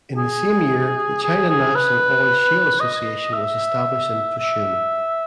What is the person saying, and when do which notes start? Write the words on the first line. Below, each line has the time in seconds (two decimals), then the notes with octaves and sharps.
In the same year, the China National Oil Shale Association was established in Fushun.
0.17 G#4
1.22 G#4
1.49 G#4
1.75 B4
2.80 D#5
3.33 E5
4.38 E5